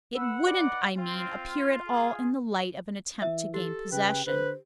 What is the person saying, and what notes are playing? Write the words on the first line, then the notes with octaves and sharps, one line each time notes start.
It wouldn't, I mean, appear at all in the light of an attempt to gain possession.
B4 F#5 E6
D#4 B4 D5
C4 F4
G#4
E3 E5
G4 A4
C#3 B4 G5
D3 B4 C5